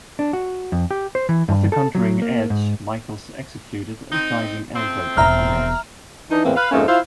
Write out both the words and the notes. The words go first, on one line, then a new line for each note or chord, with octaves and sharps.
After countering Edge, Michaels executed a diving elbow drop on Edge.
D4
F#4
F2
G4
C5
E3
G2
A4
F#3
A#3
G#2
C4 D#4
F3 A3 C4
E1 B3 E5 A#5 F6
E3 D4 D#4
E2 A2 E3 A#3 C4
B4 F5
F2 G#2 A3 A#3 C#4
E4 F4 C5 F5